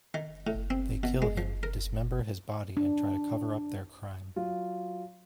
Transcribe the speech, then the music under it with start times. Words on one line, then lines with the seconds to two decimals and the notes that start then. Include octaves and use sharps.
They kill him, dismember his body and try to cover up their crime.
0.14 D#3
0.47 A2
0.70 C4
1.03 B2
1.22 G#3
1.38 F3
1.63 A#4
2.77 D4
4.36 F#3 F4